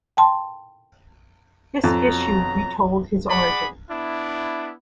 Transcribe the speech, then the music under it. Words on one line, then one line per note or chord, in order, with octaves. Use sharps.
This issue retold his origin.
G5 A5 C6
F2 B2 F#3 A#5
G#4 D5 F#5 B5
B3 D4 E4